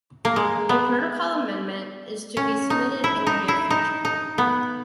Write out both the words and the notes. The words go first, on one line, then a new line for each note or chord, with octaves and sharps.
A protocol amendment is to be submitted in the near future.
A#3
G#3
B3
C#4
D#4
E4
D#4
E4
D#4
D#4
B3